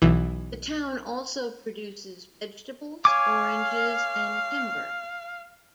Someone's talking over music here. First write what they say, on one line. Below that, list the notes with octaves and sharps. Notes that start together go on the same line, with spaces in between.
The town also produces vegetables, oranges and timber.
B1 E3
C#5 F5 G#5 D6